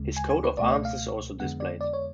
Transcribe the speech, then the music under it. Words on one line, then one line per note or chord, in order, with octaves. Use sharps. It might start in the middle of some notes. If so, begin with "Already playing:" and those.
His coat of arms is also displayed.
Already playing: D2 C#3 G#3
G#5
G#5
B4
C#2 B2 A3 D5
D5
F5
F2 D3 G#3 B3 F#5
D5
D5
C#5